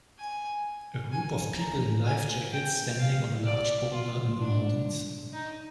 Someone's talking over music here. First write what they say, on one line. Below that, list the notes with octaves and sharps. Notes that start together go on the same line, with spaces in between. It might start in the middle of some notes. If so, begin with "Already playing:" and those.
A group of people in life jackets standing on a large boulder in the mountains.
G#5
G#5
A#5
G#5
G5
F5
D5
F4
D4
D#4